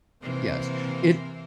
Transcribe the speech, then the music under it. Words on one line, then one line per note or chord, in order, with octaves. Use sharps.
Yes. It
C3 E3 A#3 C5